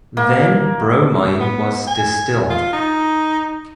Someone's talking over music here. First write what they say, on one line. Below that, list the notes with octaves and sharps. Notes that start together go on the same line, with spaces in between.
Then bromine was distilled.
A#3
B3
G#5
F4
D#4